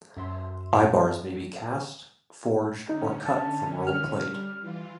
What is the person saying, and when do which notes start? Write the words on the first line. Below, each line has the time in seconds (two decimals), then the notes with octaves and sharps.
Eyebars may be cast, forged, or cut from rolled plate.
0.17 F#2 E5 C6
2.89 D3 C#4 D#4
3.26 A5
3.87 F6
4.26 G3
4.61 E3 F4